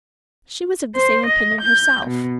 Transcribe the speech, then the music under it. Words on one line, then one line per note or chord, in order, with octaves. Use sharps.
She was of the same opinion herself.
C5
D#5
G6
B2